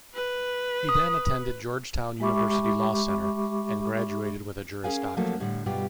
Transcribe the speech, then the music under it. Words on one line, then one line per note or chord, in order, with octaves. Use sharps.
He then attended Georgetown University Law Center and graduated with a Juris Doctor.
B4
D#6
G#3 G4 E5 B5 C#6 D6
C#4 G#4 A#4 F5 G#5
F3 F#3 A3 A#3 C#4 A4
A2 D3 G3
G2 B2 G3 F4 G4